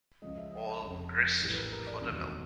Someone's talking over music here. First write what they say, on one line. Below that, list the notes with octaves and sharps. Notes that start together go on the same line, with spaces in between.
All grist for the mill.
C#2 C#3 F3 G#3 D#5
E5
D#5
F1 F2 C#3
A#1 A2 E3 G3
B4
A#4
A#4
D5
E1 D2 C3 D#3 F#3